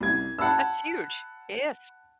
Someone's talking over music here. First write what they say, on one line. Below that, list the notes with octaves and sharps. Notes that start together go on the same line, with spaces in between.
That's huge. Yes.
C2 G#6
F#5 A5 B5 E6